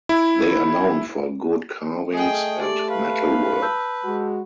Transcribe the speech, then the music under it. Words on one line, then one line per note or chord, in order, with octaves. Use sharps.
They are known for good carvings and metalwork.
E4
A3 G#4 D#5 G5
G4 D5
B4 F5
A4 C#5
A5 E6 G6
G#3 F#4